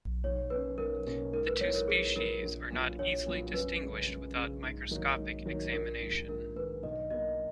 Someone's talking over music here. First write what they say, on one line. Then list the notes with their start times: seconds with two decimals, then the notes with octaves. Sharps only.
The two species are not easily distinguished without microscopic examination.
0.24 B1 C#5
0.50 B2 A#3 C#4 B4
0.78 B1 A#4
1.06 B2 A#3 C#4
1.33 G#2 A#4
1.47 B4
1.61 F#3 B3 E4 C#5
1.75 A#4
1.88 G#2 G#4
2.16 F#3 B3 E4 A#4
2.43 A#1
2.70 A#2 F#3 B3
2.99 A#1 C#5
3.26 A#2 F#3 B3
3.54 F#2 B4
3.81 C#3 G#3 C#4
4.08 F#2
4.36 C#3 G#3 C#4
4.63 G#2
4.91 D#3 F#3 A#3 D#4
5.19 G#2
5.45 D#3 F#3 A#3 D#4
5.73 A#1 A#4
6.00 G#2 D#3
6.28 A#1 A#4
6.56 G#2 D#3 B4
6.83 B1 D#5
7.10 B2 D#5
7.14 A#3